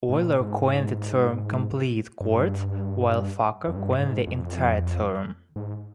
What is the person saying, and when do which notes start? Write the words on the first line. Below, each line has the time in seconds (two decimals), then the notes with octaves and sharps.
Euler coined the term "complete chord", while Fokker coined the entire term.
0.09 G#2
0.15 A#2
0.41 G#2
2.21 G2
3.68 F2
3.76 G2
4.01 G#2
4.27 F2
5.56 G#2